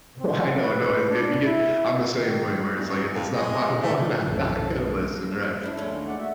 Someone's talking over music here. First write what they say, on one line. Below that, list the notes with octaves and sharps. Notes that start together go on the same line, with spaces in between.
Well, I know, no, e e you get I'm the same way where it's, like, if it's not my one, I'm not gonna listen, right?
C4
B4
D4
E4
D#3
E2
F#2
F2
G#3
A3
B1 F#2 A4
A#3
D4 E4
D#2 G#3 A3 C#4 D4
D5 F#5
F#4 E5